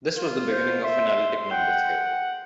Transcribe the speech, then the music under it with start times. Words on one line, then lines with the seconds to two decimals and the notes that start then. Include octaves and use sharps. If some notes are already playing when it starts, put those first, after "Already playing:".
This was the beginning of analytic number theory.
0.17 F4
0.51 C5
0.83 E5 C6
1.51 F#5 G5